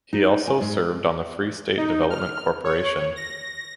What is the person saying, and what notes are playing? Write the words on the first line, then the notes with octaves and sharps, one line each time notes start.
He also served on the Free State Development Corporation.
D#4
G#5
G#2
D#4
F6
C#5
A#6